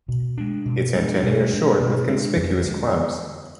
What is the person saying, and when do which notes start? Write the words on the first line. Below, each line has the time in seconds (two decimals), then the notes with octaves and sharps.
Its antennae are short with conspicuous clubs.
0.08 B2
0.37 G#3 D4
0.66 B2
0.94 G#3 D4
1.23 B2
1.50 G#3 D4
1.80 B2
2.07 G#3 D4
2.36 F2
2.64 D3 G#3